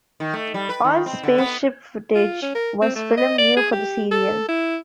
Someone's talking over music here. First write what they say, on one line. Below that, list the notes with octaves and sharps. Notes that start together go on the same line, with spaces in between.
All spaceship footage was filmed new for the serial.
D#3
A3
G3
B4
D#3
C4
D3
B3
F4
C#4
A#4
C4
A3
D#5
D5
G#4
G4
A4
E4